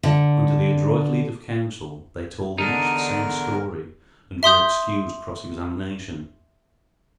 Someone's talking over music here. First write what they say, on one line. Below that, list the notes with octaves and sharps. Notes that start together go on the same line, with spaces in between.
Under the adroit lead of counsel, they told each the same story, and were excused cross-examination.
D3
E2 D3 D4 D#4 A#4
E5 C6 D#6 G6